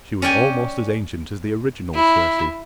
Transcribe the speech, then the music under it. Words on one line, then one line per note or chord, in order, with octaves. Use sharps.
She was almost as ancient as the original Circe.
C#4 D5 G5 G#5
E4